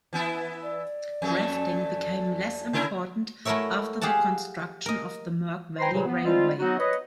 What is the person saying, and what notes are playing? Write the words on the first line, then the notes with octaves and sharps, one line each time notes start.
Rafting became less important after the construction of the Murg Valley Railway.
E3 B3 E4
D5
F2 A3
C#3 E4 A#4
A3 E4 F#4 A#4 C#5 E5
G4 G#4 F5 F#5 A5
A#4 D#5
B4 C5 G5 G#5 A#5 C6
G2 A#2 C#3 F3 F#3
B3
F3 G3 G#3 C4 F4
F#3 B3 D#4 F#4
B4 C#5 D#5